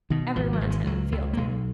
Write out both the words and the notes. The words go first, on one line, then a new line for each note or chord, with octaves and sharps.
Everyone attended Field Day.
B2 D#3
G#1 F3
F#3
G#1
G#3
C#2 F#3
C#2
A#3
B1 G#3